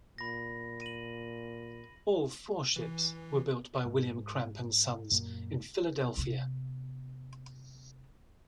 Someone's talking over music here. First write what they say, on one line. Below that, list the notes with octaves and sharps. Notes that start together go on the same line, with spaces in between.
All four ships were built by William Cramp and Sons in Philadelphia.
A#2 B5 A#6
D#7 F#7
E3
G#2
F#2 A#2 A#3
C3 B3